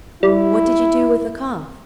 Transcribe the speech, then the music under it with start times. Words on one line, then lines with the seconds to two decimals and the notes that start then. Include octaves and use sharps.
'What did you do with the calf?'
0.23 G3 E4